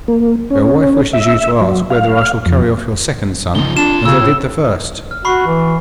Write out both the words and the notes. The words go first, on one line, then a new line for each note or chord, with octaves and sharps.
Your wife wishes you to ask whether I shall carry off your second son as I did the first.'
A#3
C#4
E5
F#3
F5
F2
C#3 F3 D#4 G7
C4 D4 F4 E7
C#3 E6
A2
F6
F#4 B5 C#6 C7
E3